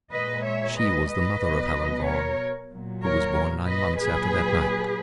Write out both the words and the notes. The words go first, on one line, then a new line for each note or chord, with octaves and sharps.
She was the mother of Helen Vaughan, who was born nine months after that night.
A#2 G#3 B4 D#5
C#5 E5
B4 D#5
B4 D#5
B2 F#3
A#4 C#5
A#2 F#3
A#4 C#5
B4 D#5
A#2 F#3 G#4 B4